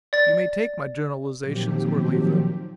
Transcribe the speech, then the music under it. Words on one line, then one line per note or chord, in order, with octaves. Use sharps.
You may take my generalizations or leave them.
D5 A6
A#2 D#3 F3 F#3 C4 G4